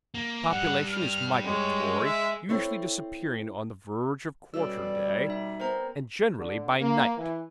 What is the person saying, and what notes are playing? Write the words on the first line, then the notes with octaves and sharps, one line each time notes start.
The population is migratory, usually disappearing on the verge of quarter-day, and generally by night.
A#3
G3 D4 F#5
F6
G#3 C#5
E5
C4 E4 A4 C#5
B2 G3 A3 C#4 D5 E6
D#4 E5
B3 C4 A#4 C5 A#5
D3
A#3
E3